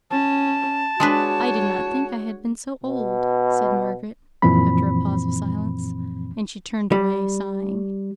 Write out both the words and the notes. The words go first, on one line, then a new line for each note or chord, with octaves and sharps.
'I did not think I had been so old,' said Margaret after a pause of silence; and she turned away sighing.
C#4 A5
G#3 D4 F#4 B4 C#5
B2
F#2 A#2 E3 F3 C4 B5
G3